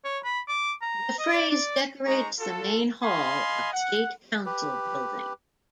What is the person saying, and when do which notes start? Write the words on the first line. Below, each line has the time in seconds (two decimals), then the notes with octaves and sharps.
The phrase decorates the main hall of State Council Building.
0.04 C#5
0.24 B5
0.48 D6
0.82 A#5
1.19 D#5
1.34 D5
1.50 D5
2.05 G#3 D#4 G#4 A#5 C#6
2.40 F4 F#4 A4
3.03 D#5 F5 G#5 B5 C6
3.73 F#5
4.46 G4 B4